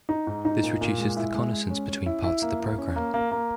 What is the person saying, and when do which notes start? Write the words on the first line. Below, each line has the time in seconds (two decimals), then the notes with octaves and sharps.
This reduces the connascence between parts of the program.
0.09 D#4
0.27 G#2
0.45 D#4
0.63 A#2
0.81 A#2
0.98 G#3
1.17 E4
1.34 G#3
1.52 G#3
1.70 C#4
1.88 C#4
2.06 E4
2.24 E4
2.42 A#3
2.60 E4
2.78 C#4
2.96 A#3
3.14 A#3
3.32 A#3